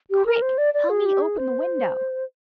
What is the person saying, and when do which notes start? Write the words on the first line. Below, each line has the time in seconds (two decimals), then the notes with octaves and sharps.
"Quick, help me open the window."
0.11 G4
0.26 A#4
0.42 C5
0.58 D5
0.74 D5
0.90 G#4
1.06 G4
1.22 G#4
1.38 C5